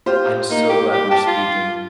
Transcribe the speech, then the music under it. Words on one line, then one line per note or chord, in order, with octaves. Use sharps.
I'm so glad we're speaking.
F4 G4 C5
A#3 D#4
G4
G4
G4 A5
F4